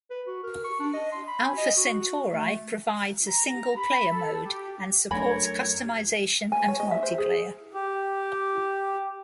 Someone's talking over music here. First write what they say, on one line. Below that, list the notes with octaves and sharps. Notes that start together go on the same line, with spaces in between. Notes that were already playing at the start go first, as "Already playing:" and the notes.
"Alpha Centauri" provides a single player mode and supports customization and multiplayer.
B4
F#4
A#4
C#6
D4
D#5
C6
B5
G#5
D#5
F#4
A3
A#5
B5
A4
G4
F#2 A3 D4 A#4 C#5 G#5 B5 G#6
G#5
C#5
D#5
E5
C5
G#4
G4